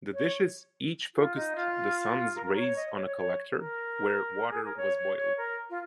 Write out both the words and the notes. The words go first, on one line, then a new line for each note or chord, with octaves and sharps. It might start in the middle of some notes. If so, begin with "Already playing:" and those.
The dishes each focussed the sun's rays on a collector, where water was boiled.
C#5
F4
D#4
F4
A#4
A#4
C#5
D#5
C#5
C#5
C#5
A#4
G#4
A#4
C#5
C#5
C#5
A#4
F4